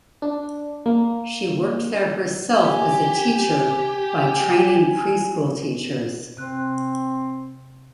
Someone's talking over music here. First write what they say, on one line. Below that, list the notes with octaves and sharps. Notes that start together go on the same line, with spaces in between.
She worked there herself as a teacher by training pre-school teachers.
D4
A#3
G4 G#5
C3 C4 F#6